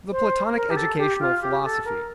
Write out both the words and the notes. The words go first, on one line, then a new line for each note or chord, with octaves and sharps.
The Platonic Educational Philosophy.
C5
A#4
G4
A4
G4
F4
G4
A4
A#4